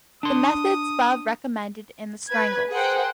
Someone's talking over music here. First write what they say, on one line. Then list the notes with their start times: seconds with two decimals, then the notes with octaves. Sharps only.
The methods above recommended in the strangles.
0.23 D4 C6 D#6
2.29 B4 G#6
2.70 G#4 A#4 C5 F#5 G5